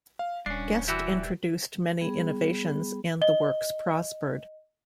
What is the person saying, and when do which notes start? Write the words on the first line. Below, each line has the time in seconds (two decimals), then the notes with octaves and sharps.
Guest introduced many innovations and the works prospered.
0.19 F5
0.46 D#1 G2 C#4 D4 C7
0.88 E3 G3 F#4 G4 E5
2.01 G3 B3 G#4 B5
3.22 D#5 G7